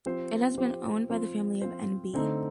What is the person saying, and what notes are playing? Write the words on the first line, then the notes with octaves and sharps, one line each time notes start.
It has been owned by the family of N. B.
F3 C4 G4 C5
F3 C4 G4 C5
F3 C4 F4 C5
F3 C4 F4 C5
D3 A3 C4 D#4